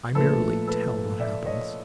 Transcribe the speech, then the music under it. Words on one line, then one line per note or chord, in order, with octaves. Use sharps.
I merely tell what happens.
A#2 F3 A3 A4 B4
A4 B4
D5 E5
C#5 D#5